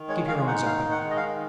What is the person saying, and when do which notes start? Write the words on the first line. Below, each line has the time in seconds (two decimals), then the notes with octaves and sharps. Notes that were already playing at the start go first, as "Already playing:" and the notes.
Keep your eyes open.
Already playing: D#3
0.08 G#3 C#5
0.27 G#3 F5
0.47 D#4 F#5
0.66 D#3 F5
0.85 D#3
0.91 F#5
1.04 G#3
1.10 D#5
1.17 F5
1.23 D#3